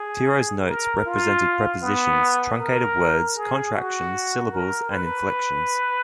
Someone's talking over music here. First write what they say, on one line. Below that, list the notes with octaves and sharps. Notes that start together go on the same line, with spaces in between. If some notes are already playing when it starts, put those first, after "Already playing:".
Tiro's notes represented prepositions, truncated words, contractions, syllables, and inflections.
Already playing: G#4
A#4
F4
B3
A#4
G#4
F#4
A#4
B4